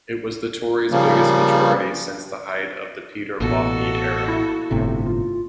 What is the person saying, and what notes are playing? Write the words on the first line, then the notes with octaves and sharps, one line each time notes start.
It was the Tories' biggest majority since the height of the Peter Lougheed era.
C#3 F3 G3 A#3
A1 B2 A#3 F#4 A4
E4
G1 A2 C3
F4